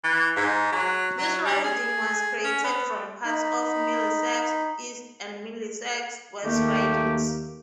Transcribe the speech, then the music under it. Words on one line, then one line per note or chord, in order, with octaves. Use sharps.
This riding was created from parts of Middlesex East and Middlesex West ridings.
E3
G#2
F#3
F#3
G3
G#4
C#4
B3
D#4 B5
D#2 A3 A#3 G4